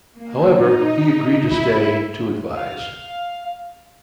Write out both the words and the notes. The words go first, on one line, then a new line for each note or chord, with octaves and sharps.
However, he agreed to stay to advise.
A#3
D#4
E4
F5